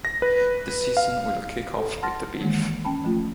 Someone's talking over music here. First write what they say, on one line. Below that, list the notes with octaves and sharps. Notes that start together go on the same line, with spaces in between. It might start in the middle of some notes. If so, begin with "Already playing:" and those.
The season will kick off with the Beef.
A#6
B4
F5
A4
F#5 A5 C6 F6 A6 A#6
D#3 E3 G#3 A#3
C#4 G5 A5 B5
F3 A3 F4